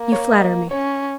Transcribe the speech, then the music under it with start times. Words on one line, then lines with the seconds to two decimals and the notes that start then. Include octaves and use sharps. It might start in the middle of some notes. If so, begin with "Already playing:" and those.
"You flatter me!"
Already playing: A#3
0.12 C#5
0.32 D#5
0.71 C#4 C#5